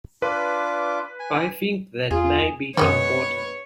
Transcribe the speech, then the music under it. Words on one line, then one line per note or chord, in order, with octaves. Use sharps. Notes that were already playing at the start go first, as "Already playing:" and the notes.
I think that may be important.
D4 F4 B4 D6
G#5
E2 F4 G#4
F#2 D#3 F3 G#3 B3 B4 C#5